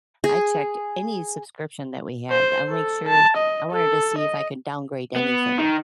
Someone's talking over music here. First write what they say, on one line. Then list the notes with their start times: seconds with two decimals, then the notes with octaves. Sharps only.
I checked any subscription that we had. I'll make sure I wanted to see if I could downgrade anything.
0.24 G#4
2.31 C5
2.69 A4
3.09 A5
3.37 D#5
3.72 A4
4.19 D#5
5.16 B3
5.58 D#3